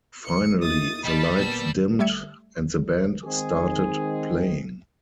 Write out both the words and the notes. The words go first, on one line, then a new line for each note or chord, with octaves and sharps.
Finally, the lights dimmed and the band started playing.
C#7
A#3 D#4 E4 D#6 A6
G3 D#5 A5 B5
A#2 A#3 B3 A5 E6
G3 A3 E5 G#6 C#7
D#3 G#3 C4 G#4